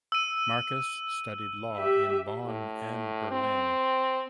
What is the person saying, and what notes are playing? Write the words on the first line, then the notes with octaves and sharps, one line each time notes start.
Marcus studied law in Bonn and Berlin.
E6 D#7
G4 E5
A2
C4